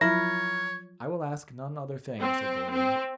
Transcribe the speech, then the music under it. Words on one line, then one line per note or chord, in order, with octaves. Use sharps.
I will ask none other thing, said the lady.
F3 F#3 E4 F4 A#4 C#5 A#6
C4
C4